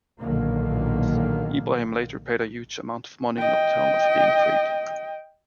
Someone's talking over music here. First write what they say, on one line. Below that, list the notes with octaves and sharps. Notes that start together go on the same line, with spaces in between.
Ibrahim later paid a huge amount of money in return of being freed.
B1 A#2 D3 D#3 A#3
D#5 G5